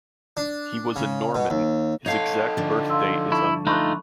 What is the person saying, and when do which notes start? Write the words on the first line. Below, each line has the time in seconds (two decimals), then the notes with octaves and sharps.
He was a Norman; his exact birth date is unknown.
0.37 D4
0.96 C#3
1.35 B2
1.50 D#2
2.06 D#4 A4 C#5 F5
2.57 D3 F3
2.90 F5 C6 E6
3.32 E4 A5 C#6
3.67 A3 D#4 F4 B5 C#6 F#6